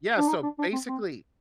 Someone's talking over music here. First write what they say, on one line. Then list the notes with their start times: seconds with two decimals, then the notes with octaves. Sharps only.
Yeah, so basically
0.18 D4
0.28 D#4
0.43 D4
0.59 D4
0.73 C4
0.88 C4